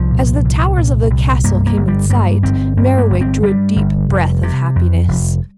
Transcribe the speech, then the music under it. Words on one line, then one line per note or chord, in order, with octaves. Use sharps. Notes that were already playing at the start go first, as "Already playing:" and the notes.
As the towers of the castle came in sight, Merriwig drew a deep breath of happiness.
Already playing: C2 F3
A#2
C2
A#2
C2
G2 A#3
A#3
G1
G3
G2 A#3
G1 C4
G2 C4
A#3
G1
C4
G2 G3
G1
F1
C3
F2
F1